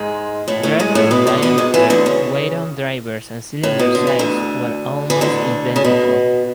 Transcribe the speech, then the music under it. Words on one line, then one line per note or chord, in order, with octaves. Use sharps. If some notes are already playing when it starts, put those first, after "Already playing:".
Driver diameter, weight on drivers and cylinder size were almost identical.
Already playing: G#2 G#3
A2 A3
A2 A3
G#2 G#3
A2 A3
B2 B3
D3 D4
B2 B3
G#2 G#3
E2 E3
D2 D3
C#3
A2
B2
D3
E3
D2 D3
E3
D2 D3
C#3
B2